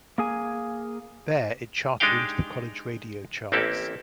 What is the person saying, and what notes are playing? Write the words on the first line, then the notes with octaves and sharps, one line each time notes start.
There it charted into the college radio charts.
A#3 G#4 G#5
G#3 D4 D#4 G4 F5 G5
A1 A#3 C4 E4 G4 A4